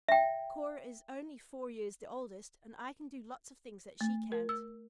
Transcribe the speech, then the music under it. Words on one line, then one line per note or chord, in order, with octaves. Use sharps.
Cora is only four years the oldest, and I can do lots of things that she can't.
E5 G5
A3
A#4
E6